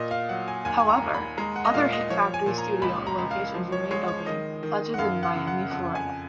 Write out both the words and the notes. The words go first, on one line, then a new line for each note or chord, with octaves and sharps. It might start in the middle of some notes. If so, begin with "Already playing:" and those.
However, other Hit Factory studio locations remained open, such as in Miami, Florida.
Already playing: A#2 D#5
F5
F#3 F#5
G#5
D#2 G#5
G#5
A#5
D#2
B5
G#3 A#5
F#5
D#5
A#2 F5
D#5
F3 C#5
G#5
A#2
A#5
C#2 B5
A#5
C#2
F5
F3
C#5
G#3 C#5
C#5
D#3 D#5
D#3
F#5
F#2 F5
F#5
C#3
F#5
F2 F#5
G#5